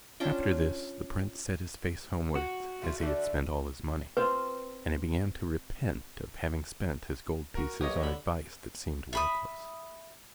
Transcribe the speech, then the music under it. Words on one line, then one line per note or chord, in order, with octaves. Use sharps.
After this the prince set his face homewards as he had spent all his money; and he began to repent of having spent his gold pieces on advice that seemed worthless.
C#4 D4 F4 G5
F#4
A3 F4
D3 A3 D4
C4 F4 B4
F#4 A#4
B1 A#3 G4 C#5 D#5 D#6
D3 B5
E5 B5 D#6